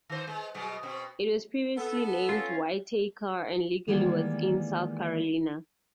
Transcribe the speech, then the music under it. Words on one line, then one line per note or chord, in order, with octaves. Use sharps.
It was previously named Whitaker and legally was in South Carolina.
D#3 C5
G#3
B2 F#3 G#3
B2 C4
B3 A4
C#4 F4
D#3 E3 G3 G#3 A#3 B3